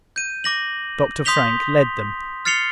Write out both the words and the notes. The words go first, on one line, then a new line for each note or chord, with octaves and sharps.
Dr. Frank led them.
G6 D#7
D6 A#6 F#7
C6 D#6 G6 B6 F7 G7
F6 A6 C7 C#7 F7 G7